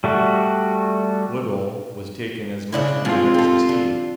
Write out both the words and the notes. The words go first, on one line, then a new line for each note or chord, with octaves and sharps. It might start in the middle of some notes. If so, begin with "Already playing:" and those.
Woodhull was taken as much unawares as he.
G3 A3 F#4
C#3 D4 E4
F3 G#3 C4 F4
G4 A4
D4